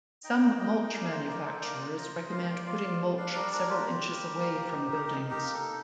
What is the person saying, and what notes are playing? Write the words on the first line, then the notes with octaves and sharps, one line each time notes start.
Some mulch manufacturers recommend putting mulch several inches away from buildings.
D#4 D#5 G5
A#3
A#3 D#5 G5
D#4
G5
A#3 D5 F5
D#4 C5 D#5
A#3 A#4 D5
D#4 A4 C5
A#3 A#4 D5
F4
F4 C5 D#5
F4
A#3 F5
G5
F4 D5 F5
F4 D5 F5
F4
G3
D4 D5 F5
G3 A#4 D5
D4 A#4 D5
F4 G4 A#4
F4
G3
G3
A#3
A#3
D#4
D#4
D#4
D#4
G4 A#4
A#3
D#4 A4